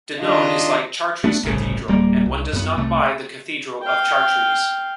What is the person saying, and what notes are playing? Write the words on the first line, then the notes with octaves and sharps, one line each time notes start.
Danone is like Chartres cathedral, and one does not buy the cathedral of Chartres.
D#3 D4 F4 D#5
A3 B3 D4
G1 C2 A2 C#3
D1 G3 A#3
C2
F#2 B3
C2 C3 A3
F5 G5